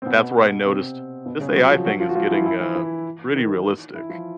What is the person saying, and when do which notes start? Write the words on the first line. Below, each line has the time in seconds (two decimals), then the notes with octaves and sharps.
that's where I noticed, "This AI thing is getting, uh, pretty realistic."
0.02 C4
0.06 B2 B3
0.66 C3 C4
1.26 B2 B3
1.41 C#3 C#4
1.56 F#3 F#4
1.70 F3 F4
1.85 F#3 F#4
2.00 F3 F4
2.09 F#4
2.16 F3 F4
2.31 E3 E4
2.45 E3 E4
2.60 E3 E4
2.75 E3 E4
3.35 D#3 D#4
3.94 E3 E4
4.09 F3 F4